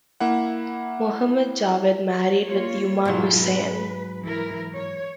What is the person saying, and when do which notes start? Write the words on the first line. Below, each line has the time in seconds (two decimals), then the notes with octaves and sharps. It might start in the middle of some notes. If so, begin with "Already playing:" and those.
Mohammad Jawed married with Yuman Hussain.
0.20 A#3 E4 F#5
2.46 A#3 F4 C#5
3.05 G#2 B2 F#3 E4 F4
3.41 B4
4.23 E3 E4 A#4
4.75 C#5